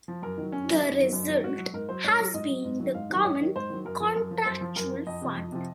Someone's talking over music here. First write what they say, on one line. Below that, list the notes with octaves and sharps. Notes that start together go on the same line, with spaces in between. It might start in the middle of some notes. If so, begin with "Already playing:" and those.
The result has been the common contractual fund.
F3
F#2 A#4
D#3
F#3
F#2 C#4
D#3 F#3
F#2 D#4
D#3 F#3
F#2
D#3 F#3
G#2 F#4
F#3
G#2 A#4
F#3 C5
G#2 C#5
F#3
G#2 D#5
F#3
G#2
D#3 F#3
G#2 F5
D#3 F#3
G#2 C#5
D#3 F#3
G#2 C5
D#3 F#3
F#2 A#4
F3
F#2 A#4
F3
F#2 C5
F3
F#2 A#4
F3
F2 D#5
C3 F3
F2
C3 F3